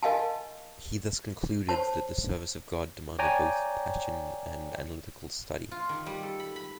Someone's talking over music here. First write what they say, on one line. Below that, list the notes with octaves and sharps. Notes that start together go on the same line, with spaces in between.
He thus concluded that the service of God demanded both passion and analytical study.
A#4 D#5 F5 G#5 A5
C5 C#5 A5
C#5 D5 G5 G#5 A#5
F4
D#3
G3
A4
B5
B5